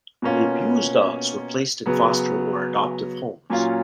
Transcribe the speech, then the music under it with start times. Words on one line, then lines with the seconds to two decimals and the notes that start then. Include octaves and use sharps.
The abused dogs were placed in foster or adoptive homes.
0.22 B2 A#3 C#4 F4
1.86 C#3 F#3 B3
3.50 A#2 F#3 C#4 F4